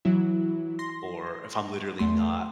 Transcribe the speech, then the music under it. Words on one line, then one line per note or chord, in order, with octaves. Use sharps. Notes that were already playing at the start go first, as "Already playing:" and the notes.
or if I'm literally not
E3 F#3 E4
C6 A#6
E2 A3 C6